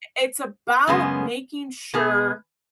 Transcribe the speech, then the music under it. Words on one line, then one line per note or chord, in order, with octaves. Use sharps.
it's about making sure
F#2 C#3 G#3 B3
B2 B3 G#4